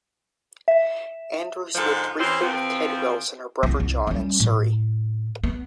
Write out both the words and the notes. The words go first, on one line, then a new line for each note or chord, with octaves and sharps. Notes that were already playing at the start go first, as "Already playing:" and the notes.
Andrews lived briefly with Ted Wells and her brother John in Surrey.
E5
G#2 D3 D#3 F3 A4
E3 C4 C#4 G4 C5
E2 F3 B3 C4
C2
C2
G3 C#4
A2
B3